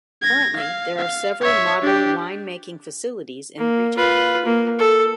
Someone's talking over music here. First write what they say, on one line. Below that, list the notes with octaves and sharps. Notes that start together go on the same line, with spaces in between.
Currently, there are several modern wine-making facilities in the region.
G#6 A#6
F5
F5
C#5 E5
D4 G4
A#3
F4 B4
A#3
A4